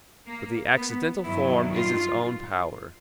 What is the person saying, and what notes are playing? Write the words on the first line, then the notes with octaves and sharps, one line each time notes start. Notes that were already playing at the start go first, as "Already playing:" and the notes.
But the accidental form is its own power.
A#3
B3
G2 D#3 F#3 E4
F4